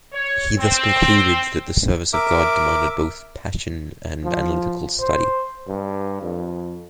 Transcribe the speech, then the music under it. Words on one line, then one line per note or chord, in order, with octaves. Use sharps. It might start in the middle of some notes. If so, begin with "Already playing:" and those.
He thus concluded that the service of God demanded both passion and analytical study.
C#5
C4
A#4 E5 D6
F3
C5
G2
F2